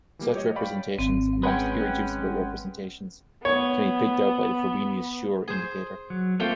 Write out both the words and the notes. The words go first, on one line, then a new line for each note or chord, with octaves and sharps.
Such representations, amongst irreducible representations, can be picked out by the Frobenius-Schur indicator.
E3 G3 A#3
G4 C#5 D#5
C#5 D5 F5 G5 B5 C#6
G#1 C4
G#3 C#4 B4 F#5 G5
B3 C#5
G#4 C5
F#3
A3 A#3 C4 F4 G5